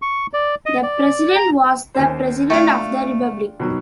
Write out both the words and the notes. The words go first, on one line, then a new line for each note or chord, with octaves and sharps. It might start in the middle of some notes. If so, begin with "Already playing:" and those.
The President was the President of the Republic.
C#6
D5
D#5
D5
A#5
D#2 C#4 C5
A3 D4 F4 F5 G5
B2 D#3 F#3